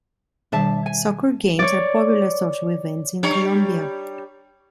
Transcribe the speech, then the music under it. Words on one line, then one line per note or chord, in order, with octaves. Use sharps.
Soccer games are popular social events in Colombia.
B2 D#3 G3 D4 E5 A5
G#5
C#5 D5
G3 D4 C#5